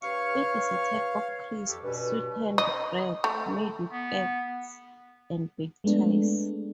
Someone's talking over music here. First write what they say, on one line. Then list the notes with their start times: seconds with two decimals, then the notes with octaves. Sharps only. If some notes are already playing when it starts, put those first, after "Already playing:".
It is a type of crisp, sweetened bread, made with eggs and baked twice.
0.03 G2 B4 C#5 F5 C#6 F6
1.68 F2 G4 A4
1.84 G2 B2 C#4 B4
2.58 D#5
3.24 A3
3.90 B3
5.84 G#3 A3 B3 D4